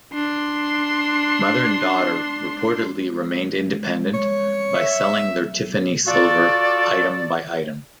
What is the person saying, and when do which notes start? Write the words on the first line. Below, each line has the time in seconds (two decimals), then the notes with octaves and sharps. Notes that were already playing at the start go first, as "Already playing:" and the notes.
Mother and daughter reportedly remained independent by selling their Tiffany silver item by item.
0.13 D4 C6
4.14 C#5
4.75 E5
6.07 F4 F#4 A4 D5